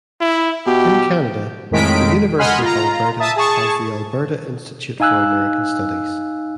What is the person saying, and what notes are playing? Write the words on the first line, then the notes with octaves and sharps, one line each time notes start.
In Canada, the University of Alberta has the Alberta Institute for American Studies.
E4
B2 G4
F2 A2 D#3 G#3 B6 D7
D#5 F#5 G#5 B5 C6 F6
F4 A#5
E5 A5 D#6
G#4 A5 C#6
D#4 F5 G#5 E6 F#6